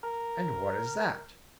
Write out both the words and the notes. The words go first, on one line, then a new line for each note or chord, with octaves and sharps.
"And what is that?"
A#4